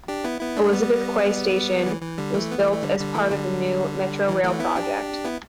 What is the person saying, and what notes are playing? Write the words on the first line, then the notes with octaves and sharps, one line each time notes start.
Elizabeth Quay station was built as part of the New MetroRail project.
D4 G4
B3 E4
B3 E4
A3 D4
G3 B3
E3
E3
D3 G3
E3 A3
B3
E3 A3
A3
D3 G3
D3 G3
E3 A3
D3 G3
E3
E3 A3
B3 E4
D4 G4
B3 E4